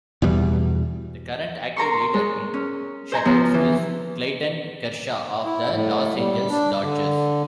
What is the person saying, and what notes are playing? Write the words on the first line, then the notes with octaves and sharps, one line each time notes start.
The current active leader in shutouts is Clayton Kershaw of the Los Angeles Dodgers.
E2 B2 G3
A#4 A#5 C6 C#6
G#3
C#4
C5 G#5 A#5 C6
F3 B3 F#4
E3
E4
A2
G3
D4
D3